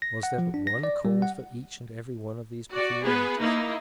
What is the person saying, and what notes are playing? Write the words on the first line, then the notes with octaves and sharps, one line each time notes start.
Was there but one cause for each and every one of these peculiarities?
A#6
F#5
F3
D4
A#6
D5
G3
F#5
F#4 D5
B3 G#4 B4
A#3 D#4 E4